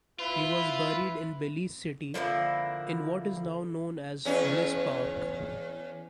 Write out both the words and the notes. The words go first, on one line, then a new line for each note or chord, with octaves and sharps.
He was buried in Belize City, in what is now known as Bliss Park.
E4 F4 B4
D3 F3 A#3 E4
E2 C#4